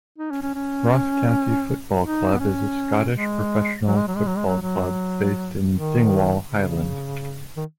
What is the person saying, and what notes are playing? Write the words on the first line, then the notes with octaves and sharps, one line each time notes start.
Ross County Football Club is a Scottish professional football club based in Dingwall, Highland.
D#4
C#4
C#4
C#4
D#4
B3
C#4
G#3
F#3
G#3
F#3
G#3
F#3
G#3
F#3
F#3
D#3
C#3
D#3